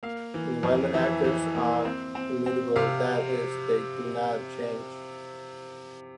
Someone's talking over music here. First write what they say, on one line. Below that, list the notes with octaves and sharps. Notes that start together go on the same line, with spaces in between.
Environment Actors are immutable, that is, they do not change.
A#3 F5
E3
F2
E3 E5
E3
A#3
C4
C4
C4
C3 F5